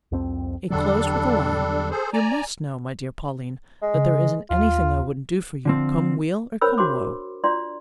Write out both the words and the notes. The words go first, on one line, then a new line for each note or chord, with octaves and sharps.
It closed with the line, "you must know, my dear Pauline, that there isn't anything I wouldn't do for you, come weal or come woe."
C2 F2 C4
E2 D3 F#3 G3 D4 A4
G#4 A4 C5
D5 G#5 A#5
G#3
C#3
D#2 F4
D3 F3 C4
D4 A#4 C5 C#5 B5 E6
D4 F#4 C5 C6 D6
D4 F4 D5 C6